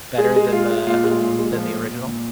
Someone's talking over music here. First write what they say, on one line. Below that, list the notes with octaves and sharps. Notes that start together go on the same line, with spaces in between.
Better than the, um, than the original?
G#3 G#4
G#3
G#3 F4
G#3
A#2 F4
G#3
A#2
G#3
F3
A#2
A#2
A#2